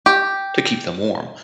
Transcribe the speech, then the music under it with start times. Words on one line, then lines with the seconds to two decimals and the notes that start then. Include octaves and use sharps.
to keep them warm.
0.06 G4